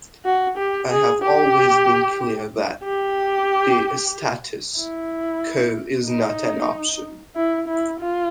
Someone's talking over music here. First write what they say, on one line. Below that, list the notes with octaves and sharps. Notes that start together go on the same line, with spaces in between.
I have always been clear that the status quo is not an option.
F#4
G4
G#4
G4
G4
E4
D#4
E4
E4
F4